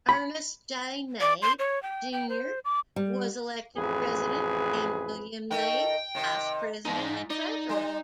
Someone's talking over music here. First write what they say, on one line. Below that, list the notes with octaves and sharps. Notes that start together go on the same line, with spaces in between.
Ernest J. Knabe, junior was elected president and William Knabe, vice president and treasurer.
B5
D5
C6
C#5
G5
G5
C5
D6
G3
A1 F2 G#4 B4
A3 D#4 A#4 G5
C3 D#3
E2 G#3 D#4
D#4 D5
G3